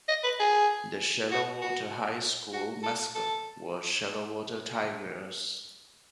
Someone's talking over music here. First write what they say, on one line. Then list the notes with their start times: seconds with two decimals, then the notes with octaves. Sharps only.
The Shallow Water High School mascot was Shallow Water Tigers.
0.09 D#5
0.24 B4
0.40 G#4
1.31 F#4
1.62 F#4
2.53 F#4
2.83 A4
3.15 A4